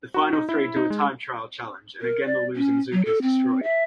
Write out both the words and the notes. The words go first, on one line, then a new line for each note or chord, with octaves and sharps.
The final three do a time-trial challenge, and again the losing zook is destroyed.
F#4
D#4
E4
D#4
G#3
A#4
D5
C#4
F#3
A4
C4
E5